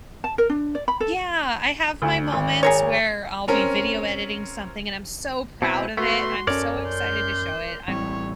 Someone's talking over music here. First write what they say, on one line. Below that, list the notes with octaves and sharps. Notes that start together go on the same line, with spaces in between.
Yeah, I have my moments where I'll be video editing something and I'm so proud of it, I'm so excited to show it, I'm
A5
A#4
D4
D5
B5
A4
D2
G#1
G#4 A#4 C#5
C4 C#4 A#4
B2 C4 E4
A3 B3 F#4 C6
F#2 C#4 A4 A#4 C#5 D5
C6 G6
A1 G3 C4 E4 C#5